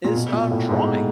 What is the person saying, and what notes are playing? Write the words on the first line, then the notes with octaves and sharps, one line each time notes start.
is, uh, drawing,
A#2
B2
A#2
A2
G#2